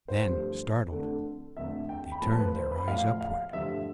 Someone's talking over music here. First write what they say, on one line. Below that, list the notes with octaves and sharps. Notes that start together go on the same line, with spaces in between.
Then startled, they turned their eyes upward.
C5
G2 F3 A3
F2 D3 A3
F2 D3 A3 E5
G5
B5
A2 F3 A3 A5
B4
C5
B5
A2 F3 A3 F5
F5
G2 D3 F3 A3 E5